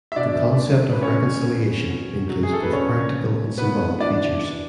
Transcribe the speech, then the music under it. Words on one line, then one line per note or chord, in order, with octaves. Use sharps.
The concept of reconciliation includes both practical and symbolic features.
E5
B2 D4 D5
F#3
B4
C#4 D4 C#5
B3
B2
F#3
G#4
A4
B4
C#4 D4 C#5
B3
G#2 B3 B4
E3 D4 D5
D4